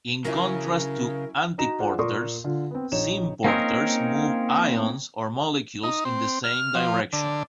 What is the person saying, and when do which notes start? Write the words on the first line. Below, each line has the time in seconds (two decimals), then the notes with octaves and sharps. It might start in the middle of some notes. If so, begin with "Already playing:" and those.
In contrast to antiporters, symporters move ions or molecules in the same direction.
0.25 C#3 F#3 C#4 E4 A#4
1.58 D#4 F#4 D#5 A#5 E7
1.79 F4 G#4 C5 D5 F#5
1.99 A#2 A#4 D5 C6 C#6 D#6
2.44 D3 F4
2.71 B3 C4
2.92 A#1 D#4 C#5 E7
3.44 A#3 C4 C#4 D#4 G#4 A#4
5.83 D#4
6.05 C4
6.44 F6
6.75 F3
7.13 D3